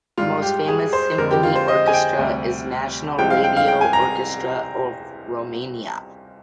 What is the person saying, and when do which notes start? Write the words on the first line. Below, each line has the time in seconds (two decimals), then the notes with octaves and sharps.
The most famous symphony orchestra is National Radio Orchestra of Romania.
0.18 G#2 G3 F4
0.42 G4
0.68 G#4
0.93 C5
1.18 F2 D3 G#3 A#4
1.31 G4
1.43 F4
1.56 C5
1.68 D#5
1.87 G#5
1.93 G5
2.19 D2 C3 G3
3.19 C2 C3 F3 G#3 G5
3.30 F5
3.44 G5
3.57 F5
3.68 G5
3.81 G#5
3.93 A#5